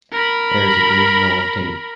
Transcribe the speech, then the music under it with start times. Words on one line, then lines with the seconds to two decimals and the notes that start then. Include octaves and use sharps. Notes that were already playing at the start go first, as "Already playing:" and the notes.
There is a green roll of tape.
0.12 A#4 B5